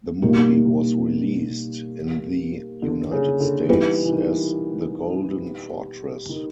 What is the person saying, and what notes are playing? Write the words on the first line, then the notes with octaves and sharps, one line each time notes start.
The movie was released in the United States as The Golden Fortress.
B2 D#3 G3 A#3
D#3
D3
C#3
D3
E3 G3 B3 D#4 G4 B4
E3
D#3
D#3